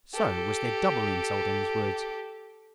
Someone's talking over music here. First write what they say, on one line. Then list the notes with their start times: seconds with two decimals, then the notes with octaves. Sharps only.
So was there double insult in his words.
0.13 G4 A4